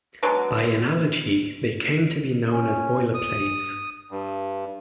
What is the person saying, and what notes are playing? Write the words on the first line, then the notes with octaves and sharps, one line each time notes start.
By analogy, they came to be known as 'boilerplates'.
B2 D3 F#3 G#3
C#4
D#6
G2